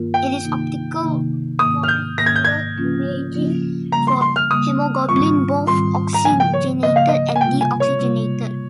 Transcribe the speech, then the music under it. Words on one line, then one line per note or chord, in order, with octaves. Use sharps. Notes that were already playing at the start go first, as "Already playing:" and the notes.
It is optical molecular imaging for hemoglobin both oxygenated and deoxygenated.
Already playing: G2 D#3 A#3 F4 A#4
G5
C3 D#3 A#3 D#4
C3 D#3 A#3 D#4
G#2 D#3 A#3 D#6
F6
G6
G#2 D#3 A#3 A#6
G#6
G6
G#6
C#3 F3 A#3 C#4 F4
C#3 F3 A#3 C#4 F4
C#3 G3 A#3 A#5
C6
C6
F6
C#3 G3 A#3 D#6
G#2 D#3 G3 C4 F4 C#6
G#2 D#3 G3 C4 F4 C6
A#5
C#3 F3 A#3 G#5
G5
C#5
C#3 F3 A#3 D#5
F5
D#5
G#5
C3 G3 A#3 F4 G5
G#5
C#5
C3 G3 A#3 F4